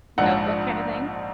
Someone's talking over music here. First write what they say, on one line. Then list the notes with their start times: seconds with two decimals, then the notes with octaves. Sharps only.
notebook kinda thing?
0.18 A#1 G#2 F3 F#5